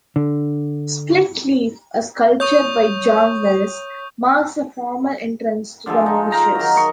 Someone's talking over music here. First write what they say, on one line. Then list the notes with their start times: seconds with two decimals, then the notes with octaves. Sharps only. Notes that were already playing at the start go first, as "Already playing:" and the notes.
"Split Leaf", a sculpture by Jon Mills, marks the formal entrance to the marshes.
0.16 D3
2.40 C#5 C#6 D#6 G6
5.86 D3 F3 G#3 A4
6.06 D#4
6.32 F4 G5 A#5
6.55 D#3 F#3
6.76 D#5 C#6